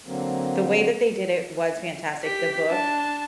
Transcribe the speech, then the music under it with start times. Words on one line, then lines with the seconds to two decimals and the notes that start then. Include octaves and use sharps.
the way that they did it was fantastic. The book
0.06 D3 F#3 A#3 C4
2.23 G4 B6
2.69 D4 A5